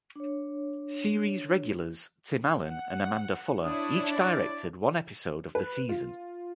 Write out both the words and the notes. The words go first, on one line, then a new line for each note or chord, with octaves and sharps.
Series regulars Tim Allen and Amanda Fuller each directed one episode of the season.
D4 C#5
F#5
D4 E4 C#5 D#6
D5
B4
F4